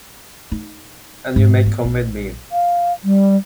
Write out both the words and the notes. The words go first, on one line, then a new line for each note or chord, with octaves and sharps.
And you may come with me.
D#4
G#2
B3
A#1
F5
G3